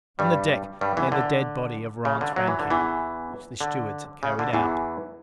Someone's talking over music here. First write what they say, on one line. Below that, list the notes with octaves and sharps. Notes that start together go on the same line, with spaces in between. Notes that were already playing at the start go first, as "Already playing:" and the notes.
On the deck lay the dead body of Rance Rankin, which the stewards had carried out.
G2 G3
G2 G3
E2 E3
D3
C#3
D3
F#3
E3
D3
E2 E3
D3
C#3
D3
E2 E3